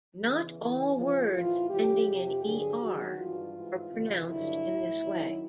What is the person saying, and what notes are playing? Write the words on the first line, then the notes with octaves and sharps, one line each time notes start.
Not all words ending in "er" are pronounced in this way.
E2 C#3 E3
E2 C#3 E3
F2 C#3 F3
A2 E3 F4
F#2 C#3 E3 G4
F2 C3 F3 G4
G2 D3 F#3 G#4
F#2 D#3 F#3 F#4
G2 E3 F4
G#2 E3
F2 C3 D#3
G2 D3 F#3 E4
A2 F#3
F#2 D#3 F#3